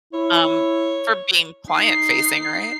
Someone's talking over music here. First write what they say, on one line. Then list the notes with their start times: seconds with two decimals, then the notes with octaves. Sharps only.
um, for being client facing, right?
0.13 E4 C#5
1.70 D#4 C7